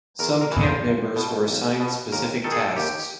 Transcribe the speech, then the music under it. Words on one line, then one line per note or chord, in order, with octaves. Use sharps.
Some camp members were assigned specific tasks.
E2 A#4
A#4
C#3 E3
C5
B1
B2
B1
B2
D#2 A#4
D#3 A4
G#4
A4
D#2 G4